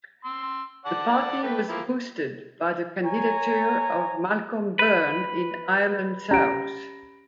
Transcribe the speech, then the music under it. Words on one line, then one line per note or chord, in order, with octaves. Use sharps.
The party was boosted by the candidature of Malcolm Byrne in Ireland South.
C6 E6
D5 F#5 A5
A3 B4 G5
F3 A#3 E4
C#5 G#5 A#5
B4
C#4 G4 A#5 D7